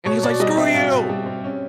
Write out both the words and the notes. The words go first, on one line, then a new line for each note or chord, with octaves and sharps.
And he's, like, "Screw you!"
B2 C#5
B2 D5
G3 D#5
C4 E5
B2 F5
B2
G3
C4
C#4